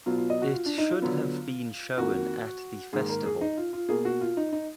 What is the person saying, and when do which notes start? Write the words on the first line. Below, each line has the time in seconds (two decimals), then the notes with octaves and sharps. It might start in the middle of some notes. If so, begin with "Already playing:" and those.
It should have been shown at the festival.
0.06 B2 F#3 B3 F4
0.18 F4
0.30 D#5
0.42 F#4
0.54 F4
0.66 D4
0.78 D#4
0.90 F4
1.02 D3 F#3 B3
1.97 F2 D#3 A#3 F#4
2.93 G#2 D#3 A#3 G#4
3.09 A#4
3.26 G#4
3.41 D#4
3.57 F4
3.73 F4
3.89 B2 A#3 G#4
4.05 F#4
4.21 F4
4.37 D#4
4.53 D#4